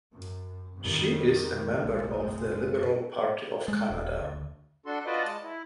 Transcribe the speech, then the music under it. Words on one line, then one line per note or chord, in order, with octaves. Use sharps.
She is a member of the Liberal Party of Canada.
F#2
F2 D#3 G3
F#1 B1 G#3 A3 C4
G#3
D#1
D2
D4 F#4 A4 C6
F4 F#4 B4 C5 D5 D#5
G#3 A5
E4